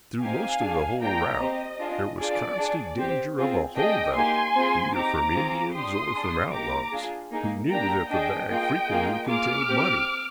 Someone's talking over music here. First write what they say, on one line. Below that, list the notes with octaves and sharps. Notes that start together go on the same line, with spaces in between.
Through most of the whole route there was constant danger of a "hold up" either from Indians or from outlaws, who knew that the bag frequently contained money.
C4 D#4 G4 F5 G#5
D4 G#4
A#3 D4 F4 G#4 G5 A#5
C4 G4 D#5
D4 F4 G#4
D4 F4 G#4 D5
D4 G#4
C4 G4
C4 F4 G#4
D4 G#4 D#5 G5
A#3 D#4 G4 G#5 C6
C4 F4 G#4
C4 D#4 G4 A#5 D6
C4 F4 G#4
D4 G4 C6 D#6
D4 G#4
A#3 D#4 G4 A#5 D6
D4 F4 G#4
A#3 D#4 G#4
A#3 D4 G4 G5 A#5
D4 G#4 D#5 G5
A#3 F4 G#4 D#5 G5
A#3 F4 G#4
A#3 F4 G#4 D6 F6
C4 G4